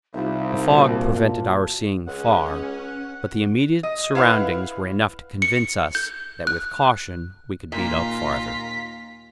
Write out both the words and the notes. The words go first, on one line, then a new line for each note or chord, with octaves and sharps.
The fog prevented our seeing far, but the immediate surroundings were enough to convince us that with caution we could beat up farther.
C2 D#4 F4 C5 E5
A#2 A#3 F4 F#4 A5
C#2 C#4 F#5
D#5
E4 B4 F5 F#5
C#7
G6
F#6
D#2 A#2 F4 A#5 B6